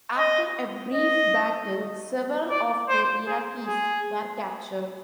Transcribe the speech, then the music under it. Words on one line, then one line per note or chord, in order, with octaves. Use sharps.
After a brief battle, several of the Iraqis were captured.
D#5
D#5
D5
C5
G#4
G#4